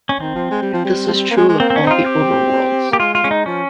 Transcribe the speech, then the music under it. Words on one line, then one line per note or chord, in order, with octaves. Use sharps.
This is true of all the overworlds.
C#4
D#3 C4
F3
G#3
G3
F3
G3
F3
G3
A#3
G#3
G#3
A#3 C4
C4
C#4
C4 D#4
F4
G4
A#3 G4
G#3 F4
F4
G#3 C#4
D#4
F3 C#4